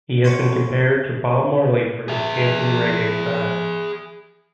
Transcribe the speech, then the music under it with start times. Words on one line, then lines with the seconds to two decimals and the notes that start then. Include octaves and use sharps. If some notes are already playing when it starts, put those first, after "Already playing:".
He has been compared to Bob Marley for his chanting reggae style.
0.24 C#4 F#4 C#5 B5 C6
2.08 G#4 E5